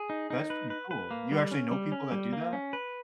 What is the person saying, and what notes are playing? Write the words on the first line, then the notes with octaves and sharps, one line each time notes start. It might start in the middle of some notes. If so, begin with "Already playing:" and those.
That's pretty cool. You actually know people that do that?
Already playing: G#4
D#4
D#4
B4
B4
B4
A#3
G3
C#4
G3
C#4
G3
A#3
C#4
B4